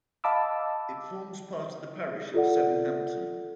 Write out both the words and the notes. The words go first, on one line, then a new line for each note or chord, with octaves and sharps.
It forms part of the parish of Sevenhampton.
D#5 F5 A5 B5 D6 E6
F4 A4 D5 F#5